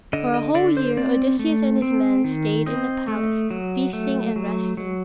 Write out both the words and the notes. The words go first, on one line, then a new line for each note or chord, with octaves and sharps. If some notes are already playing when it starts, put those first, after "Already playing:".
For a whole year Odysseus and his men stayed in the palace, feasting and resting.
D3 D#5
D#5
D3 D5
C5
C4 D5
A3
C4
D#3
C4 D#5
A3
F#3
A3
F#3
F#3